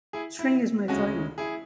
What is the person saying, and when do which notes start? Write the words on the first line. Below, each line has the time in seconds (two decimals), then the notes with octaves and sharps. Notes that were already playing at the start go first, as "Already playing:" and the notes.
String is my foible.
0.13 E4 G#4
0.39 E4
0.88 D2 C#3 G#3 C#4 F#4
1.38 E4 G#4